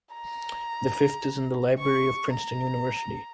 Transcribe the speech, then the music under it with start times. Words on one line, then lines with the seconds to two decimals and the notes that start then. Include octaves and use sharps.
The fifth is in the Library of Princeton University.
0.14 A#5
1.79 C#6
2.34 A#5